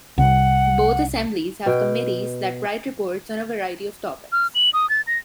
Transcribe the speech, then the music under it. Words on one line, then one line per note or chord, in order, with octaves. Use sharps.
Both assemblies have committees that write reports on a variety of topics.
C2 F#5
B2 G5
F6
F#7
D#6
A6
A#6